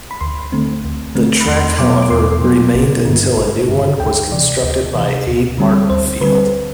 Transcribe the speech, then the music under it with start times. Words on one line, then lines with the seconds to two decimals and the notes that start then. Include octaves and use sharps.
The track, however, remained until a new one was constructed by Abe Martin Field.
0.11 B5
0.21 D2 C6
0.52 D3 A3 C4
0.84 D2
1.15 D3 A3 C4
1.41 B5
1.48 E2 C6
1.78 B2 F#3 B3 D6
2.02 D6
2.10 E2 C6
2.42 B2 F#3 B3
2.74 A1
3.05 G2 D3
3.37 A1
3.69 G2 D3
4.00 D2 G5
4.32 C3 E3 D5
4.63 D2
4.95 C3 E3
5.27 D2
5.58 D3 G3 C4
5.90 D2 C5
6.21 D3 G3 C4 B4